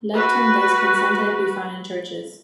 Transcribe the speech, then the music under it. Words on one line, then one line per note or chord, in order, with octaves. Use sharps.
Lectern desks can sometimes be found in churches.
F#4 B4